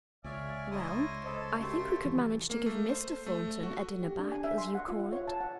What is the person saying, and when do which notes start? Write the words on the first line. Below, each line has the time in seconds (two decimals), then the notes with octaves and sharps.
'Well, I think we could manage to give Mr. Thornton a dinner back, as you call it.
0.24 C#2 C#5 D5 E5 F5 G#5
0.71 D#4 E4 C#5 D#5 A5 C6
1.24 A4 C5 D#5 B5
1.60 A3 A#3 C#4 F#4 G4 C5
2.05 E3 G3
2.50 A#3
2.66 A3
2.89 C5
3.26 A3
3.63 F#4
4.02 G4
4.19 D4
4.32 G#5
4.44 E5
4.58 C6
4.75 F#5
4.88 F4
5.00 F#5
5.13 C#5
5.28 A5
5.40 F#5